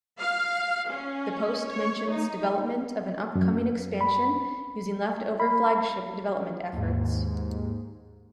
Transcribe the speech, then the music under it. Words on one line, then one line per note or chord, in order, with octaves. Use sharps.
The post mentions development of an upcoming expansion, using leftover Flagship development efforts.
F5
C#4
C#5
D#4
F#2
B5
B5
D#2 G#2